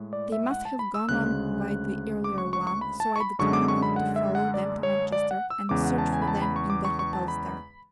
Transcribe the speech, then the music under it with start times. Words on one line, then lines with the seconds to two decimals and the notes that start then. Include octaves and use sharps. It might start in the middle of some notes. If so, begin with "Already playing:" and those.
They must have gone on by the earlier one, so I determined to follow them to Manchester and search for them in the hotels there.
Already playing: A2 G#3
0.13 D5
0.32 E5
0.51 F#5
0.65 A5
0.79 B5
0.94 E6
1.09 D2 C#3 G#3 F#6
2.24 D6
2.38 C#6
2.53 C#6
2.67 C#6
2.81 B5
3.00 A5
3.16 C#6
3.20 B5
3.39 F#2 D3 G#3 C#6
3.53 D6
3.68 C#6
3.82 B5
3.96 F#5
4.16 E5
4.35 F#5
4.54 D5
4.83 C#5
5.12 D5
5.31 F#5
5.50 E6
5.69 E2 C#3 G#3 D6
5.84 F#5
5.98 A5
6.13 G#5
6.22 B5
6.28 A5
6.42 B5
6.56 C#6
6.70 D6
6.85 C#6
6.99 C#6
7.13 A5
7.28 B5